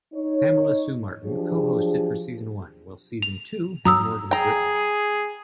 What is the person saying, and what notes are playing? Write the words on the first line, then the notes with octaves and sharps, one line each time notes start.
Pamela Sue Martin co-hosted for Season One, while Season Two had Morgan Brittany.
D#4 C#5
F3 F#3 D4 G4 G#4
F7
G2 F#3 A#5 D#6 E6
G#4 G5 A#5